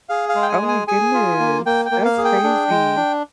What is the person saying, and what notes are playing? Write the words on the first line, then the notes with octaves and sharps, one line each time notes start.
Oh my goodness. That's crazy.
G#4 F5
F5
G#3
G5
G#5
G#4
G#5
G#4 G#5
F4
A#3
A#3 G5
G5
A#3
F5
G#4
G5
D4
G#3
D4